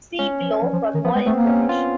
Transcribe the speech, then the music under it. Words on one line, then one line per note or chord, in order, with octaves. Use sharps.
See below for more information.
G#3 C#4
F3
F3
F3
D#3
F3 B3
G#3
A3 C4
A#3
C#4
F4